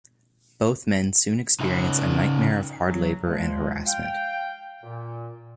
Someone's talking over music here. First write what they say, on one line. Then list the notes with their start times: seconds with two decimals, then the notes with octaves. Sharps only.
Both men soon experience a nightmare of hard labour and harassment.
1.60 C#3 D#4 E5
2.87 C#3 F#3
3.26 G2 F3 G#3
3.86 F5 G5
4.83 A#2